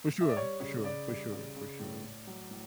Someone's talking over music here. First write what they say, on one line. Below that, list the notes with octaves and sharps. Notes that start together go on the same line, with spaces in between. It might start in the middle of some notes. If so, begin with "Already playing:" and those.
For sure, for sure, for sure, for sure.
E5
D5
G3 C#5
C#3 C#5
C#3 D5
G3
C#3
C#3
A2
A2
F#3
A2